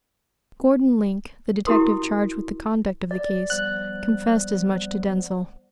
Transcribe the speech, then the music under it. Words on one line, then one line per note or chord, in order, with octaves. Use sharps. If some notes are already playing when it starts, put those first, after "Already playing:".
Gordon Link, the detective charged with the conduct of the case, confessed as much to Denzil.
E4 F#4 G4 A#4 C6 D#6
D5
F3 G3 B3 F#6